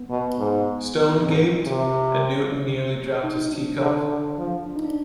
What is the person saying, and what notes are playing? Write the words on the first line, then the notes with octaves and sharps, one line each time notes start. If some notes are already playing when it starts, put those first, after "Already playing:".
Stone gaped, and Newton nearly dropped his teacup.
Already playing: B3
B2
G#2
G#2 C4
C3
D#4
D4
D3
D3
F3
D4
D#4
D4